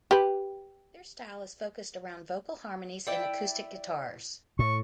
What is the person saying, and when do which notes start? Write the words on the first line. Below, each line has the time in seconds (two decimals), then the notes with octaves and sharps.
Their style is focused around vocal harmonies and acoustic guitars.
0.11 G4 B4
3.07 E4 D5 G5
4.59 A2 C#6